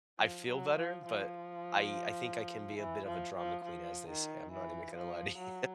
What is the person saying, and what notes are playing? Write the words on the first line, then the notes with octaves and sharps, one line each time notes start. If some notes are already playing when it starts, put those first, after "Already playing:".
I feel better, but I I think I can be a bit of a drama queen as they say. I'm not even gonna lie to you.
F3
F#3
F3
F3
E3
F3
F3
F3
D#3
E3
F3
F#3